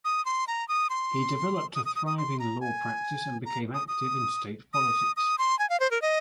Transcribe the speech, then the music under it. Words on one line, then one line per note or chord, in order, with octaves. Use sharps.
He developed a thriving law practice and became active in state politics.
D#6
C6
A#5
D#6
C6
D#6
D#6
D#6
D#6
C6
A#5
G#5
A#5
D#6
D#6
D#6
D#6
C6
G#5
F5
C5
A#4
D#5